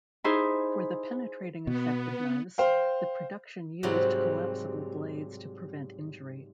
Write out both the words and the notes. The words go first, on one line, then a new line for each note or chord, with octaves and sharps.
For the penetrating effect of knives, the production used collapsible blades to prevent injury.
D#4 E4 G#4 C5
B2 B3
C5 F5 G5
G#2 C3 F#3 G3 F#4